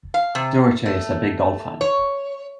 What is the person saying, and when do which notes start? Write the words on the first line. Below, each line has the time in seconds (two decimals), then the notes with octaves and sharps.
Dougherty is a big golf fan.
0.14 F5
0.35 C3
0.86 A3
1.81 C#5